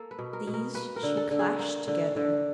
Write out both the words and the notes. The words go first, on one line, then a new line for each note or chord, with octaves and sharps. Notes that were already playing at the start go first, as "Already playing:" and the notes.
These she clashed together.
Already playing: A#3 A4
B4
B2
A#4
B2
A#4
A#3 B4
A#4
D3
A4
D3
G#4
A#3
D3
D3